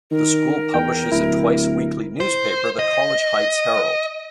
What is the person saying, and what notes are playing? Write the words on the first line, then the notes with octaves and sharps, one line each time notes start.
The school publishes a twice-weekly newspaper, the College Heights Herald.
D#3 A#4
E2 G5
D1 E4
C5
D#5